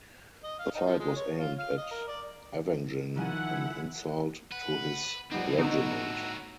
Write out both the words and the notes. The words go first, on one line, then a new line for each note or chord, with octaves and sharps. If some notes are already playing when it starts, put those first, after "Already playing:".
The fight was aimed at avenging an insult to his regiment.
D#5
F5
D#4
F3
G#3
C#5
F4
F5
D#5
A#4
D5
D#3 F3 E4 F#5 G#5
B4 F#5
A2 F3 G3 B3 C4 D#4
D3 B3 D#4 F#4 A#5 E6